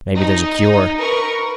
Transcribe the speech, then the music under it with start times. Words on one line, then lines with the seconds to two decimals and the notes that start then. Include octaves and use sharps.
Maybe there's a cure.
0.18 D#4
0.98 A#4 B4 C#6